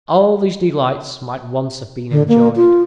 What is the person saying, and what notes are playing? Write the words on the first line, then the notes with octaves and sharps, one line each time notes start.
All these delights might once have been enjoyed.
D3
A#3
F4